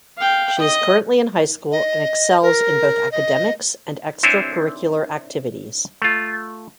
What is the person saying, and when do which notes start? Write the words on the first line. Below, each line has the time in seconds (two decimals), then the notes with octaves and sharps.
She is currently in high school and excels in both academics and extracurricular activities.
0.17 F5 G5
0.59 D#5
1.72 D#5
2.42 A#4
3.12 D#5
4.23 C4 D4 E4 C5 C#5 G#5
6.02 A3 F4